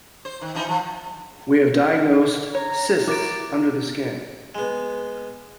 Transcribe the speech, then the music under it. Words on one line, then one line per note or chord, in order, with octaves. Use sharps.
We have diagnosed cysts under the skin.
C5
D#3
E3 F3 D#4
F3
C#5 A#5
E4 F#4 A#4 D6 A6 D7
G#3 B3